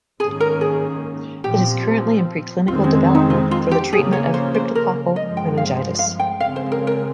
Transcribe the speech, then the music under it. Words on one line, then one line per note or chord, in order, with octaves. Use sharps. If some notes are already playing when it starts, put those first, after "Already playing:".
It is currently in preclinical development for the treatment of cryptococcal meningitis.
G#2 D#3 A#3 C#4 G#4
A#4
G#4
A#2 F3 C4 G4
F2 D#3 G#3 C4 F4
C#4
D#4
F4
F4
G4
C#3 F3 A#3 G#4
C#5
C5
C5
A#4
G2 F3 G#3 D#5
G5
F5
F5
G5
C#3 G#3 C4 F5
C5
A#4
A#4